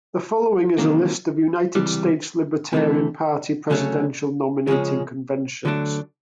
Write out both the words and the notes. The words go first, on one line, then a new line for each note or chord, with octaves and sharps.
The following is a list of United States Libertarian Party Presidential nominating conventions.
E2 C3 D#3 F#3 A#3
C#2 C3 E3 G3
C3 E3 A3
D2 C#3 F#3 A3 C#4
C#2 C#3 F3 G#3 C#4
D2 D3 F#3 A3 D4